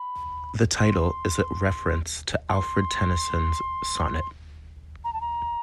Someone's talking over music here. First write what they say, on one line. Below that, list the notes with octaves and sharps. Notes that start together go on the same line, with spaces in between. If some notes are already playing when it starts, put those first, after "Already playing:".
The title is a reference to Alfred Tennyson's sonnet "".
Already playing: B5
C6
C6
A#5
A5
A#5